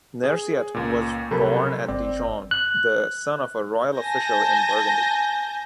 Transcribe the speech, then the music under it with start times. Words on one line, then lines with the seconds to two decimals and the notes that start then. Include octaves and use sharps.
Nerciat was born at Dijon, the son of a royal official in Burgundy.
0.24 G#4
0.74 C#2 A#2
1.31 C2 C3 F#3 A4 A#4 B5
1.88 G1 C4 D5
2.51 F#6
3.98 G#5 A5 G6 A#6